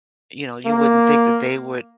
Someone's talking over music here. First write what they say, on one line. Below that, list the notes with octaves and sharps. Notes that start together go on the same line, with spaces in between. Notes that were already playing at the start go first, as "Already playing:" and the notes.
you know, you wouldn't think that they would
A#3